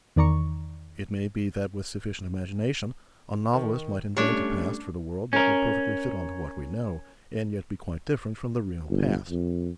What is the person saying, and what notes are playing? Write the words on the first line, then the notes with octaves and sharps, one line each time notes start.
It may be that, with sufficient imagination, a novelist might invent a past for the world that would perfectly fit on to what we know, and yet be quite different from the real past.
E2 D#3 D5 A#5 C#6
D#3
G3 A3 C#4 D4 C#5
C#4 A#4
G1
F2